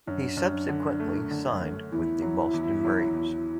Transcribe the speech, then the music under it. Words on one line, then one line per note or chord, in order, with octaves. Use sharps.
He subsequently signed with the Boston Braves.
F#2 D4 E4
F#2
D3
A3
D3
A3
E2 E4
F#3
E2
F#3
E2